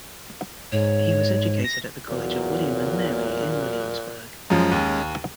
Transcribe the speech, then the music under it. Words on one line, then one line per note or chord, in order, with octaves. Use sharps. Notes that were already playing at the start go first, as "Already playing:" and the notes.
He was educated at the College of William and Mary in Williamsburg.
G#2 C#5
A#6
E2 A#2 F#3
F#2 F3 G#3 C#4
D#2